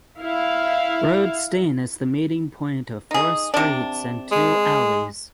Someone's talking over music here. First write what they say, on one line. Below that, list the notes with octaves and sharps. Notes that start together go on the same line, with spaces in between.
Roode Steen is the meeting point of four streets and two alleys.
E4 F5
D#4 G#4
C3 D4
G#3